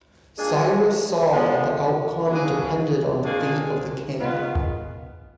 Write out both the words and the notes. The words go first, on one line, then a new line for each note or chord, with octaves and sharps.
Cyrus saw that the outcome depended on the fate of the king.
A#2 G#3 D4 G#4
D3 F3 G#3 B3
G#2 F#3 A#3 D4 G#4
D#3 A#3 D4 F4 G#4
D#3 G#3 B3 F4